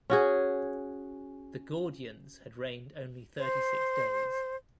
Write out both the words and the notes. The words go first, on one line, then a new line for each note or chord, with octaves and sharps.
The Gordians had reigned only thirty-six days.
C#4 F#4 G#4
C5